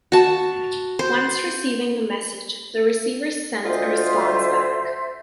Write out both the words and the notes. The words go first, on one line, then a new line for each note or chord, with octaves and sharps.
Once receiving the message, the receiver sends a response back.
F#4 A5
C5
D2 F4 C5 D#5 E5